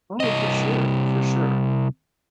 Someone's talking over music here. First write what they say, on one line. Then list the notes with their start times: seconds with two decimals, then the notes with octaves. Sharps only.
Oh, for sure, for sure.
0.20 C2 D#5